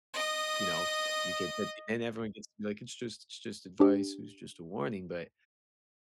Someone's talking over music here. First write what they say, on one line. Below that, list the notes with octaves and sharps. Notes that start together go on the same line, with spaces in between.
you know, uh, you get and everyone gets to be, like, "It's just it's just advice, it was just a warning," but,
D#5 D#6
D4 G4